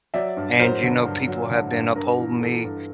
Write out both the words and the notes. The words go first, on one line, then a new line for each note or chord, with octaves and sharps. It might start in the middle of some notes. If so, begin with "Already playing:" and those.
and, you know, people have been upholding me,
F#3 D5 E5
G2
F#3 A#4 C5
D3
G2
F#3
D3
G2
G2 A#4
E3
E3 A4
G2